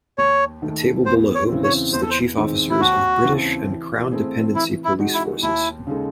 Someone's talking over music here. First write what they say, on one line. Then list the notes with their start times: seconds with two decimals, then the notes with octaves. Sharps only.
The table below lists the chief officers of British and Crown dependency police forces.
0.18 D#2 C#5
0.62 D#3 A3
1.06 E2 C5
1.35 C#5
1.49 C#3 E3 C4
1.64 C#5
1.93 E2 C5
2.02 A4
2.10 C5
2.37 D#3 G#3 C4 D#4
2.70 E4
2.80 D#2 F#4
3.24 C#3 E3 C4
3.68 E3
4.11 A3 C4 E4 G#4
4.55 E3 E4
4.84 E4
4.99 G#3 D#4 F#4
5.14 E4
5.43 D#2 E4
5.87 C#3 G#3 D#4 A4